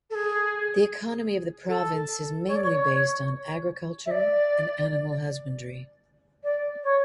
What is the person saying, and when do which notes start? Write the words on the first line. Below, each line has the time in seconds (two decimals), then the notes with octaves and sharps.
The economy of the province is mainly based on agriculture and animal husbandry.
0.10 A4
0.15 G#4
1.68 A4
2.47 C#5
2.55 D5
2.63 C#5
4.06 E5
4.11 D5
6.43 D5
6.84 C#5